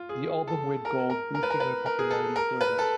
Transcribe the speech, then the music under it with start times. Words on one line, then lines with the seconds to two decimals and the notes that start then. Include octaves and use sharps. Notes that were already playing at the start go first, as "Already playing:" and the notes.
The album went gold, boosting her popularity further.
Already playing: F4
0.09 G#4
0.48 A4
0.85 A#4
1.10 A#4
1.35 A#4
1.43 B4
1.50 A#4
1.60 B4
1.86 A#4
1.99 G#4
2.11 A4
2.36 A#4
2.61 B4
2.79 A4